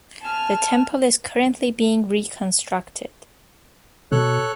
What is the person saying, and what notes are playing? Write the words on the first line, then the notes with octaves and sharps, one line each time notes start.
The temple is currently being reconstructed.
G#5 A5 F6
B2 A4 C#5 F#6